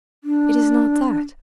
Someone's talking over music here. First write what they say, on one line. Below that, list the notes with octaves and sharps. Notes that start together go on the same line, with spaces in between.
"It is not that."
D4